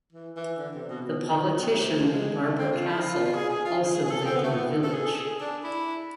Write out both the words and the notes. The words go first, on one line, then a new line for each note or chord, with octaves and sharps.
The politician Barbara Castle also lived in the village.
E3
E3
D3
C3
B2
B2
D3
B2
C3
G#3
F3
G#3
A3
C4
F4
E4
F4
F4
G#4
G#4
F4
G#4
G#4
A4
C4
B3
A3
B3
A4
G#4
A4
G#4
D4
E4